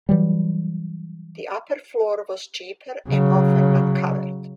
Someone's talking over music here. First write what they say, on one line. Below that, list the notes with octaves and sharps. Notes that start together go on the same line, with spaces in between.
The upper floor was cheaper and often uncovered.
E3 F#3 G3
C#3 F#3